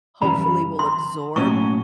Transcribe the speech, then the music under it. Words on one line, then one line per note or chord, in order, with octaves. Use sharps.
hopefully will absorb
F#2 C#3 E3 G3 B5
C6
B1 A2 F#3 A#3 C#4 C#6